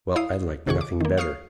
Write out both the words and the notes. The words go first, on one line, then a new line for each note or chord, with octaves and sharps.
Well, I'd like nothing better.
E4 F5 D#6 C7
A1 C3 D#3 G#4 F#5 C#6
D6
D#3 A#3
F5 C#6 D#6 F6 C7